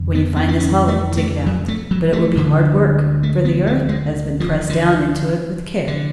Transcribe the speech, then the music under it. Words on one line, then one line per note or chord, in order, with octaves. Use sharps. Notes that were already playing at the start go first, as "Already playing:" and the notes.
When you find this hollow dig it out; but it will be hard work, for the earth has been pressed down into it with care.
Already playing: F1 F2 D3
B3
B3
D4
C#4
A3
A3
F#3
A3
F#3
A3
D2 D3
A3
B3
A3
G#3
F3
D3
D3